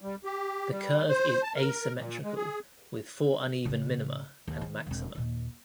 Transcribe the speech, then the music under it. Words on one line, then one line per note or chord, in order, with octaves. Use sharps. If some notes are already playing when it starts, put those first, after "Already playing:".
The curve is asymmetrical with four uneven minima and maxima.
G3
G4
G3
C5
A5
A#4
A#2
G#3
G#4
A1 C#3
D#2
D#3
E1 C4
D#2 A#2